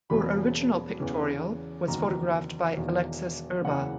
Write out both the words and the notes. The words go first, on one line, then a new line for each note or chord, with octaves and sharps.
Her original pictorial was photographed by Alexas Urba.
E1 E2 C#3 F#3 A#3 B5
E2 C#3 E3 B3
F#1 E2 D#3 F#3 A#5
E1 E2 D#3
F#1 E2 C#3 E3 F#5